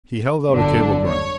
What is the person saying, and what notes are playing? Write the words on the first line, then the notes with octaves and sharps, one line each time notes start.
He held out a cablegram.
G1 F#2 D3 D4
C#5